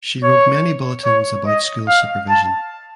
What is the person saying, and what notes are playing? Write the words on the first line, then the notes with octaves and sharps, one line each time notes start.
She wrote many bulletins about school supervision.
C#5
C#5
D#5
F5
A5